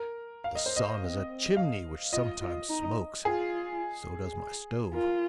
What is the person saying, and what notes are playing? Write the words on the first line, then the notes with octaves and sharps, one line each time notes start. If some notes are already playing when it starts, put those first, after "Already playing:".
The sun is a chimney which sometimes smokes; so does my stove.
Already playing: A#4
F5
D#5
C5
D#5
C4
F5
F4 D#5
F4
D#4
F4 G#4
F4 A#4